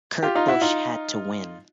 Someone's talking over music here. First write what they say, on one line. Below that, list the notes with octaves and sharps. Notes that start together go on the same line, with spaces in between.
Kurt Busch had to win.
F4 G4
D#4 F4
E4 F#4
D#4 F4